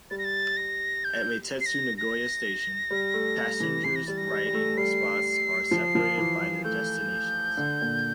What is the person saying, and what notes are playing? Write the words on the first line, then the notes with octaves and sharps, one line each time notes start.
At Meitetsu Nagoya Station, passengers' riding spots are separated by their destinations.
G3 A6
A#6
A6
A#6
G6
C7
A#6
A#6
G3
A3
G3
E3
E3 C7
A#6
G3 A6
A#6
G3
G3
A3
G3 C7
F3
F3
E3
A3 G6
D3
A#2